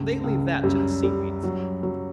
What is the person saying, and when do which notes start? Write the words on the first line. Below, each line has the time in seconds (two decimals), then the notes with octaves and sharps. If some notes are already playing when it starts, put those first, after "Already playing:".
They leave that to the seaweeds.
Already playing: C#2 G2 A3
0.24 C#2
0.63 F#2 G3
1.03 G3
1.43 F#3
1.83 F#3